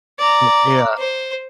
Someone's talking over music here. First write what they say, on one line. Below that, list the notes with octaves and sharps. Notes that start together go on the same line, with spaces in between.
Y yeah,
D5 A#5
C5